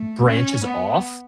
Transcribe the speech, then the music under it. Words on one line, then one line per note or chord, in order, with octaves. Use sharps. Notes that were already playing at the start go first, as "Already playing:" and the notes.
branches off.
Already playing: A3
C#4
B3